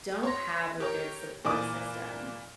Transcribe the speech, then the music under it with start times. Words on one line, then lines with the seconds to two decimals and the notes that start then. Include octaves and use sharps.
don't have a good support system,
0.23 C#5 C6 A#6
0.80 G4 A#4 C#5
1.45 A#2 E3 D5 G#5 D6